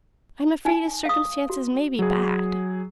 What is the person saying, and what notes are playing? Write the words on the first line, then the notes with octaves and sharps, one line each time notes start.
I am afraid his circumstances may be bad.
D#4 G#5
F5 D#6
F#4
F#3 G#4